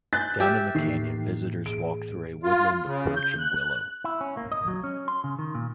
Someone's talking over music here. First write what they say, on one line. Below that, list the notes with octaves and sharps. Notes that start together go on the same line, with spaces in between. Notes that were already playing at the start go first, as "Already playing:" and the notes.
Down in the canyon, visitors walk through a woodland of birch and willow.
G#5 F#6 G6 A6
G4 E5
A2 D#3 E3 A#3 C7
G#4 D7
F4
C#3
G6
F#6
E4
C#4
A#3
D#5
F#3
C#4
C6
C#3
D#3
A#2